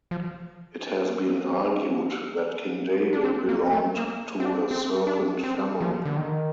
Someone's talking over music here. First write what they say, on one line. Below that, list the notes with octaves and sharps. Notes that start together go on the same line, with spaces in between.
It has been argued that King David belonged to a serpent family.
F3
D4
C4
A#3
A3
A#3
C4
D4
C4
D4
C4
F3
D3
D#3